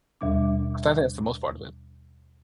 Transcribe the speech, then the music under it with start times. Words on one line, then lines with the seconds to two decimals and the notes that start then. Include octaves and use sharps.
I think that's the most part of it.
0.21 D#2 B2 G3 D4 D6